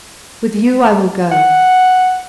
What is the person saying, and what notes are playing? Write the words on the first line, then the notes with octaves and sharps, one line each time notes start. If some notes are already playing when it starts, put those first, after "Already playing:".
With you I will go.
F#5